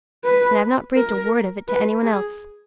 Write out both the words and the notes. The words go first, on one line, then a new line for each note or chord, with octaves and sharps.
And I've not breathed a word of it to any one else.
B4
A#4
B4
G#4